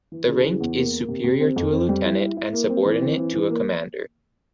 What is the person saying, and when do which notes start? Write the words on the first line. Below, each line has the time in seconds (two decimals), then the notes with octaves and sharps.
The rank is superior to a lieutenant and subordinate to a commander.
0.12 E3
0.28 C#3
0.44 E3
0.60 E2
0.76 A#3
0.92 A#3
1.08 C3
1.24 C3
1.40 C4
1.56 F2
1.73 C4
1.89 G3
2.05 E4
2.21 E4
2.37 E4
2.53 A#3
2.70 C4
2.85 E3
3.01 C4
3.18 E3
3.34 E3
3.50 A#3